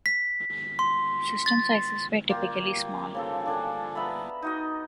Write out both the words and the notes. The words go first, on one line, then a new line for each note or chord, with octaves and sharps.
System sizes were typically small.
B6
C6
A6
A#3 F4 G4 D5
C#3 F3 A4
D4 A4 G#5
B3 E5 A#5 B5
D#4 F#4 D#5